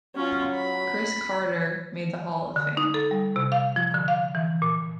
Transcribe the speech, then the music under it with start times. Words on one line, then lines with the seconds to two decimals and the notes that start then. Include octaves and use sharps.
Cris Carter made the Hall of Fame.
0.16 F#3 C#4 F4
0.55 B5
2.56 D3
2.77 D#4
2.94 A4
3.11 G3
3.36 C3
3.52 F5
3.76 F3
3.94 D3
4.08 F5
4.35 E3
4.62 A#2